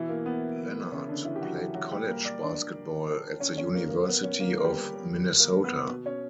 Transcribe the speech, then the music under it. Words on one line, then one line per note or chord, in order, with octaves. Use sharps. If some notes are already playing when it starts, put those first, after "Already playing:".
Lenard played college basketball at the University of Minnesota.
Already playing: B2 E3 E4
A#3
B3
C#3 C#4
D3 D4
E3 E4
G4
F#3 F#4
E3 E4
F#3 F#4
A#2 G3 G4
A#3 A#4
D5
D4 D5
C#4 C#5
C#4 C#5
A#3 A#4
A#2 A#3 A#4
B3 B4
C#4 C#5
A#3 A#4
A#4
G3 G4
A#3 A#4
B3 B4
B2
C#4 C#5